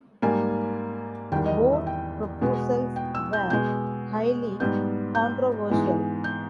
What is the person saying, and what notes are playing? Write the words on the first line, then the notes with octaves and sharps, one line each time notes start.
Both proposals were highly controversial.
G#2 G3 A#3 G#5
E2 D#3 G3 G5
D#5
E5
G5
B2 G#3 B3
G5
E6
G6
B2 G#3 B3 G6
G#2 G3 B3 G6
G6
G#2 E3 G#3 B3
G6